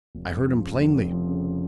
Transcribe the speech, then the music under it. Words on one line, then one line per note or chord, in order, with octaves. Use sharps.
I heard him plainly.
F1
F2
F3
C#3
F1
F2
F3
C#3